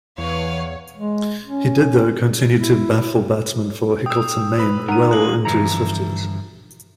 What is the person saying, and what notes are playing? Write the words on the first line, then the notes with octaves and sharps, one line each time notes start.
He did, though, continue to baffle batsmen for Hickleton Main well into his fifties.
E2 E3 B4 C#5 F5
G#3
C#4
E4
G5 D#6 E6
B4 B5
C#2 D#3 A#4 F#5 D#7
G2 A#2 G#3 A#3 F#6 F#7
G2 D3 E3 F3 E4 A#5